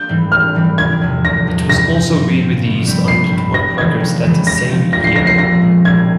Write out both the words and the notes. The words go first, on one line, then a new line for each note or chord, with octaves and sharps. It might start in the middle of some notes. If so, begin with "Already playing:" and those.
It was also re-released on Nettwerk records that same year.
Already playing: A#3 G6
G#2 E3 G3 C4
G#1 F6
G#2 E3 G3 C4
F1 G#6
E2 C3
F1 A#6
E2 C3
G2 A#6
F3 C4
G2
F3 C4
G1
G2 G3 C4 E4
G1 C7
G2 G3 C4 E4
F1 A#6
F2 C#3 E3 G#3 G#6
F1
F2 C#3 E3 G#3
F2 A#6
C#3 F3 C4
F2 A#6
C7
C#3 F3 C4 A#6
C7
A#1 A#6
A#2 G#3
A#1 G#6